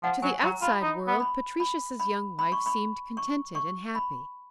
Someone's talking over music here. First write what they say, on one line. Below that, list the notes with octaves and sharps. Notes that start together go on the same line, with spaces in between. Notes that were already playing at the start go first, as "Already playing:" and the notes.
To the outside world Patricius's young wife seemed contented and happy.
F3 F#5
F#3 G#5
F#3 A#5
F4 B5
D#4
B3
B5
B5
B5
B5
C#6
B5
C#6
C#6
B5